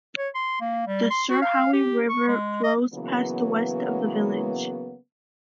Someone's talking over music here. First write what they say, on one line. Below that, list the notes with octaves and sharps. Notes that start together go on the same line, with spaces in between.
The Sirhowy River flows past the west of the village.
C#5
C6
A#3
G3
C6
F#4
F5
G4
C#6
G#3
D#5
C#3 E3 F#3 A#3 B3